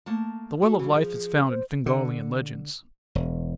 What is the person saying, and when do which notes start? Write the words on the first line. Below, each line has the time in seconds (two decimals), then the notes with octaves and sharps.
The Well of Life is found in Fingalian legends.
0.06 A3 A#3 A5
0.62 A3 F#4
0.79 E3 G3
0.94 F3 G#4
1.48 C5
1.86 D3
3.15 E1